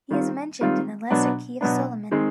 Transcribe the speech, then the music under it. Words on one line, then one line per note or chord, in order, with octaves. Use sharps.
He is mentioned in The Lesser Key of Solomon.
D#3 G3 C4 F4
D#3 G3 C4 F4
B2 F#3 B3 D4
B2 F#3 B3 D4
D#3 G#3 C4